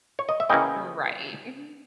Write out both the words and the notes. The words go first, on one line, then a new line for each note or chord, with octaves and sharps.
Right. Mhm.
C#5
D#5
E5
C#3 E3 A#3 C#4 D#5 G5